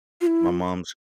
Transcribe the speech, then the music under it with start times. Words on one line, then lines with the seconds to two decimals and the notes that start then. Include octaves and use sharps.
my mom's
0.21 F4
0.27 E4
0.49 F4